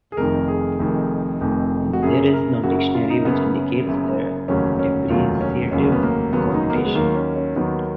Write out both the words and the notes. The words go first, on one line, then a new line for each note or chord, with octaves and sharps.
There is no dictionary which indicates this depreciative connotation.
G#4
F1 F2 D#3 A#4
G#4
F1 F2 D#3
F1 F2 D#3
F#4
F#1 F#2 C#3 G#4
A#4
F#1 F#2 C#3 F#4
F#4
F4
D#4
F#1 F#2 C#3 B3
F#1 F#2 C#3
F1 D#2 C#3 F#3 C#4
C#4
F1 D#2 C#3 F#3 F4
C#4
F1 D#2 C#3 F#3 C#4
B3
A#3
F1 D#2 C#3 F#3 B3
D#4
A#3
B3
G#3
D#2 D#3 F#3 A#3
C#4
C#4
D#2 D#3 F#3 B3